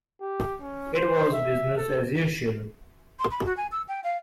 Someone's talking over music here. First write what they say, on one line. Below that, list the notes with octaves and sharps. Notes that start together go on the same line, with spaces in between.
It was business as usual.
G4
C#4
C5
E5
A4
C6
B5
F#4
G#5
E6
G5
F5